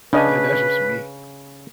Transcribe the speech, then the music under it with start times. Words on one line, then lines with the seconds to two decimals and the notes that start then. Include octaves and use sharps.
Tha that's just me.
0.13 C#3 D4 B4 D#5 G#5